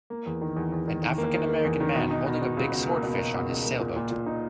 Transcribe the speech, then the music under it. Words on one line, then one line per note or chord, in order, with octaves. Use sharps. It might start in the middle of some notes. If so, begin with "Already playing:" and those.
An African American man holding a big sword fish on his sailboat.
A#3
E2
D#3
E2
E2
D#3
D#3
A#3
D#3
A#3
E2
D#3
B2
D#4
B2
B2
C#2
B2
A#3
B2
B2
B2
C#2
A#3
A#2
A#2
A#2
D#4